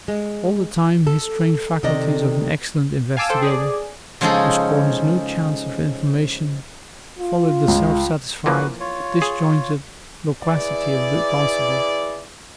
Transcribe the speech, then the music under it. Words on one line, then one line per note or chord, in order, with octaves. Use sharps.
All the time his trained faculties of an excellent investigator, who scorns no chance of information, followed the self-satisfied, disjointed loquacity of the constable.
G#3
A4
C3 D#3 G4 A4 D5 D#5
F5 G#5 A5 D6 E6
A4 C5 G5
G#4 D5
C#3 F3 G#3 D#4 G#4 A4
F4
C#2
E3 F3 A#3 F#4 B4
F4 C#5
G#4
E4 G#4 B4 D5